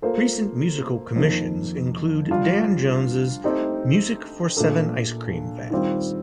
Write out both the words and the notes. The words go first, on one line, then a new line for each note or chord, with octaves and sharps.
Recent musical commissions include Dan Jones's "Music For Seven Ice Cream Vans".
A#3 F4 A4 C5
F2 D#3 A#3
D3 G3 D4 F4
A3 C4 D#4 G4
A#2 A3 D4 A4
D#3 G3 C4 F4